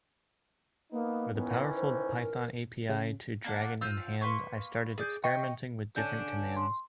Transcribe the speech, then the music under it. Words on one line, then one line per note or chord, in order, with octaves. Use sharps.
With a powerful Python API to Dragon in hand, I started experimenting with different commands.
A#3 B3 D#4
D#3 E3 B3 C#4
C5
A#4
C#3
A#3 D4 F#5
F4 E6 G6
A#3 B4 C6 C#6
G#4 D5 G6
D#5 G5 C#6
D3 C#4 D4 G6
C6